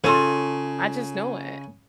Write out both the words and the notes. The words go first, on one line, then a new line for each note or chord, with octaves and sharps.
I just know it.
C#3 F4 A4 C#5